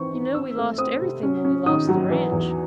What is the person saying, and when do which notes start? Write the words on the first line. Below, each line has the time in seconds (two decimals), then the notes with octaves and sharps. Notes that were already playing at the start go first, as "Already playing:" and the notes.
You know we lost everything when we lost the ranch.
Already playing: D#3 E3 C4 C#6
0.12 D#4
0.34 C4 E6
0.57 A3
0.78 C4 D#6
1.01 C3
1.23 C#4
1.45 C#4
1.66 D#3 D#6
1.89 F#3
2.11 E3
2.32 E2